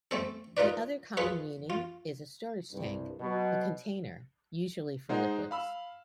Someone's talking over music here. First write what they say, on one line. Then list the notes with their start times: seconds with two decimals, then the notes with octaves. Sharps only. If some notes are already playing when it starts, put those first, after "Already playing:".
The other common meaning is a storage tank, a container, usually for liquids.
0.11 A3 C4 A4
0.57 D#4 F4 A#4 B4 D5
1.17 F4 G#4 A4 B4
1.70 F4
2.72 C2 G2
3.20 B2 F#3
5.09 G#3 D#4 C5 F#5
5.51 F5 B5 E6